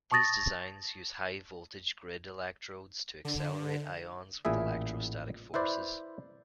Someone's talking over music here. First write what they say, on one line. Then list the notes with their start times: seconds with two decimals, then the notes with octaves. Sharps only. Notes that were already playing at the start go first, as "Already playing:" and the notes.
These designs use high-voltage grid electrodes to accelerate ions with electrostatic forces.
0.11 A5 C#6 D#6 A6 A#6
3.25 D3
4.45 A1 A#2 E4 G#4 E5
5.54 E4 B4 C5 D5